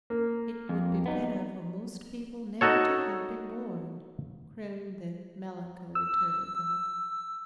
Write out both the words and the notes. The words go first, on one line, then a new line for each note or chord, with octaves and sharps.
"It would be better for most people never to have been born," crooned the melancholy Turtle-Dove.
A#3
F2
B3 D#4
D#4 F#4 A4 C#5
E6